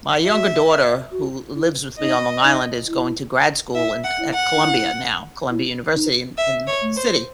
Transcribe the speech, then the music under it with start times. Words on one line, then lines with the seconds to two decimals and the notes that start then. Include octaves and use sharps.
My younger daughter who lives with me on Long Island is going to grad school in at Columbia now Columbia University in in the city,
0.24 F#4 E5
1.12 F#4
1.55 E4
1.99 D#4 D#5
2.44 D#4
2.87 E4
3.74 E4 E5
4.04 F#5
4.19 E4
4.34 F#5
4.56 D#4
4.62 E4
5.50 E4
5.94 D#4
6.38 E5
6.67 C#5
6.82 A3
6.96 C5